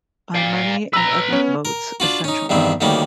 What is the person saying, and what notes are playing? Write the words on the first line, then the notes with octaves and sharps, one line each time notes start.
By money and ethnic votes, essentially.
D5 F5
B4 A#5 E6
B3 C#4
A#4
D4 F4 F#4
C#4 D#4
E2 G2 D#3 C4
D2 D#3 G3 A#3 C#4